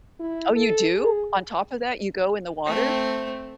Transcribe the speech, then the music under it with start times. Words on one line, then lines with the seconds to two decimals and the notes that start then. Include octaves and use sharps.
Oh, you do? On top of that, you go in the water?
0.20 E4
0.56 A4
0.95 G#4
2.66 A3 C4